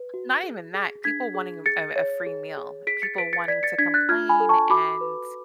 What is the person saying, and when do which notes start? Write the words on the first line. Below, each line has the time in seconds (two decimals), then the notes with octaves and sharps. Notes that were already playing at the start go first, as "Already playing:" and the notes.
Not even that, people wanting a a a free meal, people wanting to complain, and
Already playing: B4
0.14 F#4
0.44 G#4
0.74 G#4
1.04 D4 G#6 B6
1.35 G#4
1.66 G#4 A6 C#7
1.96 C#5
2.26 G#4
2.58 G#4
2.87 G#4 B6 D7
3.02 A6 C#7
3.18 B4 B6 D7
3.33 A6 C#7
3.48 D5 G#6 B6
3.63 A6 C#7
3.78 D4 G#6 B6
3.94 F#6 A6
4.09 F4 F6 G#6
4.29 G#5 B5
4.40 A4
4.49 A5 C#6
4.70 F#4 B5 D6
5.01 B4